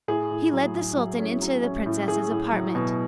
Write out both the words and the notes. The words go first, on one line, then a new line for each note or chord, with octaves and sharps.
He led the sultan into the princess's apartment.
A2 G#4
A2
F#3
A2
F#3
C#4
F#3
C#4
A2
A2 G#4
A2
F#3
B2